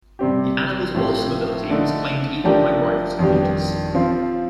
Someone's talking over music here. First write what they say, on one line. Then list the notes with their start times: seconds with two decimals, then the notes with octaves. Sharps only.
The animal's awesome ability was claimed even by rival supporters.
0.19 C3 G3 C4 G4
0.94 A2 F3 C4 G4
1.70 D3 A3 D#4
2.44 F3 A3 D4 G4 A#4
3.19 F2 D#3 G3 D4 G4
3.95 F3 C4 F4